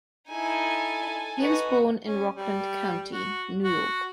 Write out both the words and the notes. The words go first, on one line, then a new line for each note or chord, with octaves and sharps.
He was born in Rockland County, New York.
D#4 E4 A4 G#5
D#4 F#4 B4
C#4
G3
F#4
F#4